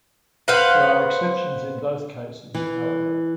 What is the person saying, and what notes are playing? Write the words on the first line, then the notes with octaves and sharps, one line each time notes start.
There are exceptions in both cases, however.
B4 C5 F5 F#5
E3